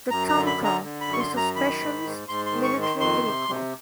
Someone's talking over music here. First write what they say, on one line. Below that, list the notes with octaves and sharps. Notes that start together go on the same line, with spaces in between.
The Tomcar is a specialist military vehicle.
F#2 A#5
A#5
D3
B5
D3
A#5
D3
B5
F#2
C#6
C6
F#2
A#5
D#3 B5
G#2
G#2
G#2 C6
C6
D#3
C#6
D#3
C6
F2 C6
C3
C3